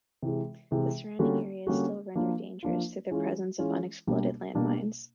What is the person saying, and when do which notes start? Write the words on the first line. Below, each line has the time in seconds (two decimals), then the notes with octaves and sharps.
The surrounding area is still rendered dangerous through the presence of unexploded land mines.
0.23 C3 E3 G#3
0.71 C3 E3 G#3
1.19 D3 G3 A#3 C#4 F#4
1.67 D3 G3 A#3 C#4 F#4
2.15 F3 A#3 D4 F4
2.63 F3 A#3 D4 F4
3.10 E3 G#3 C#4 F4
3.59 E3 G#3 C#4 F4
4.07 B2 G3 A#3 D4
4.55 B2 G3 A#3 D4